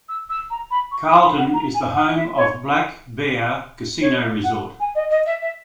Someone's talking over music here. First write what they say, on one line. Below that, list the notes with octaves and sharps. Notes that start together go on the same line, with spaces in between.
Carlton is the home of Black Bear Casino Resort.
E6
E6
A#5
B5
C#6
D#6
B5
F#5
A#5
G#5
F#5
E5
C#5
C#5
E5
F#5
G#5
D#5
D#5
E5
E5